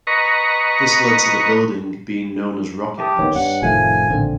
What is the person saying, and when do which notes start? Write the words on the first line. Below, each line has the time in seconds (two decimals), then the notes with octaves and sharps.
This led to the building being known as Rocket House.
0.07 B4 D#5 A#5 C#6
2.98 G4 E5 A5 D#6
3.19 D#3 A#3 B3 C#5
3.35 G2 F#5
3.62 F1 A2 D#3 F3 A3 F5 G#5
4.10 A#1 D3 C4